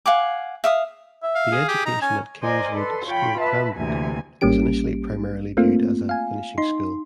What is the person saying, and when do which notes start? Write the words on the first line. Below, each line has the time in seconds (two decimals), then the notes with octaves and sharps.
The education at Kingswood School Cranbrook was initially primarily viewed as a "finishing school".
0.06 F5 F#5 G#5 D6
0.64 E5 F5 D#6
1.23 E5
1.35 F5
1.52 G#4
1.68 G4
1.86 D#4 A#5
2.02 C#4 G#5
2.42 A#4 C5 D5 D#5 G#5
2.73 A4 B4 C6
3.05 F4 C#5 G5 B5
3.38 B4 E5 A5 B5
3.74 D2 C3 E3 A#3 G#5
4.41 A1 G3 A#3 C#4 G4 D7
5.57 A3 A#3 C4 F4
6.09 F5 G#5
6.58 D#4 C6